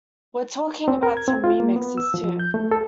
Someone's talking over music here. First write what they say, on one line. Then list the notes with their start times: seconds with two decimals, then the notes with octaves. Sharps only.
We're talking about some re-mixes too.
0.88 C4
1.03 A#4
1.17 G#6
1.28 C4
1.44 F4
1.60 A#3
1.76 B3
1.98 E6
2.14 F3
2.39 G6
2.54 A3
2.71 A4